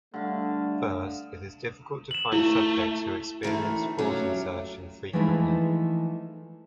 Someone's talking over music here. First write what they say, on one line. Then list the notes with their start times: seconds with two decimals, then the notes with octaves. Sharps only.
First, it is difficult to find subjects who experience thought insertion frequently.
0.14 D3 G3 A3 F5
2.11 E7 F#7
2.33 A3 E4
3.43 F#2 D#3 E3 A3
3.98 F#3 A3 C#4 F4 G4
5.13 E3 F3 G#3 A3 D#4 E4